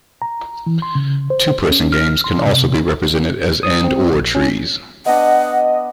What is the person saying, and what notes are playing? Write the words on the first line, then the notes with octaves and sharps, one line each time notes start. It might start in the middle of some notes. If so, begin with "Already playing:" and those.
Two-person games can also be represented as and-or trees.
A#5
E3
C6
C#3
C5
C#4
F6
C6
C3
D#6
C4
A#1
C#4
B3 D4 D#5 F#5